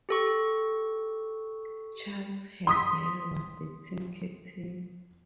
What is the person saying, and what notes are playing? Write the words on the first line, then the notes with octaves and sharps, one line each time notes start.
Charles Hubbell was the team captain.
G4 A4 C#6
C6 D#6 B6